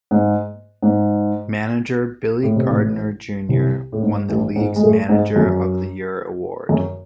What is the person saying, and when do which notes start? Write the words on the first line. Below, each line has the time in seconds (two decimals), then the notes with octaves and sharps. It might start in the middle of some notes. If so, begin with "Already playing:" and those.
Manager Billy Gardner, Junior won the league's Manager of the Year award.
0.11 G#2
0.82 G#2
2.43 A2
2.56 C3
2.69 A1 A2
3.49 C2 C3
3.92 A2
4.03 G#2
4.29 A1 A2
4.56 G#2 G#3
4.76 G#3
4.83 A2 A3
5.09 G#2 G#3
5.36 F#2 F#3
6.69 F#2 F#3